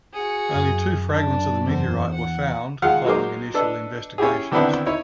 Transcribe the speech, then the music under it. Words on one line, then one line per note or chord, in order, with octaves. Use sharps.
Only two fragments of the meteorite were found following initial investigations.
F#4 G#4 C#7
F#2
D4
E2 C5
F#5
D#3 G#3 F4 F5 F#5
F#3 G#3 D#4 A#4 C5 D6
D4 A4 B4 D#5
C#4 E4 G4 G#4
D3 D#3 B3 C4 D4 E4
D#4 E4 C#5